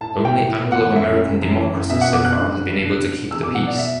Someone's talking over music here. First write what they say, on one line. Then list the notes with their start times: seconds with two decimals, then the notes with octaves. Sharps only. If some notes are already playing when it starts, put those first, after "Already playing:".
Only Anglo-American democracy, so far, has been able to keep the peace.
0.01 A2 A5
0.17 A2
0.25 G5
0.33 A2
0.49 A2
0.64 B3
0.72 F#5
0.79 E3
0.96 F#1 E5
1.11 F#1
1.26 F#1
1.42 F#2
1.58 E3
1.74 F#1
1.89 B2 E5
2.01 B2 F#5
2.13 D6
2.21 F#1 F#6
2.36 D3
2.52 D3
2.68 F#1
2.84 D3
2.99 D3
3.16 D3
3.31 E2 E6
3.43 B2 D6
3.55 F#5
3.63 B2 D5
3.78 E5